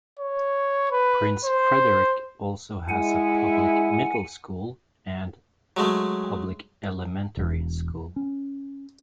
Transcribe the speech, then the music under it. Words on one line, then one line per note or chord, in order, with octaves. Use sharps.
Prince Frederick also has a public middle school and public elementary school.
C#5
B4
C5
G#3 E4 F#5 G#5
F#3 G#3 A3
E1
C#4